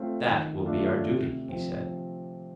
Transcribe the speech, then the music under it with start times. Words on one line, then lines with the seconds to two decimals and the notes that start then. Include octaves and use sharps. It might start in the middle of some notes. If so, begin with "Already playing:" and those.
That will be our duty, he said.
Already playing: A3 C4 F4 C5
0.24 D#3
0.65 A3 D4 F4
1.07 C3
1.49 F3 C4